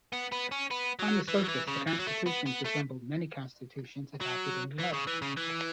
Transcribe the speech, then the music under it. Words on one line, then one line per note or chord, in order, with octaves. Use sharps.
On the surface, the constitutions resembled many constitutions adopted in the West.
B3
B3
C#4
B3
F#3
E3
F#3
E3
C#3
E3
F#3
A3
B3
B3
A3
F#3
E3
C#3
E3
C#3
E3